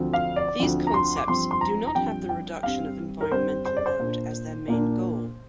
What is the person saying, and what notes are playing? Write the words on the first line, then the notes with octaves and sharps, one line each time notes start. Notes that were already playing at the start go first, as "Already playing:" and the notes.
These concepts do not have the reduction of environmental load as their main goal.
Already playing: D2 D3 F3 C4
F5
D5
D2 D3 F3 C4
A#5
C6
D6
G2 F3 C4 C6
C6
A#5
A#5
G2 F3 C4 G5
G5
G2 G3 C4 F5
A#4
G2 G3 C4 C5
C5
D5
C5
A#2 A#3 D4
A#2 A#3 D4